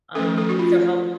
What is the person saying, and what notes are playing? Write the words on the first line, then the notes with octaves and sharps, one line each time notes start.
Um, so help
F3 A3 C#4 A4
A4
F#4
F4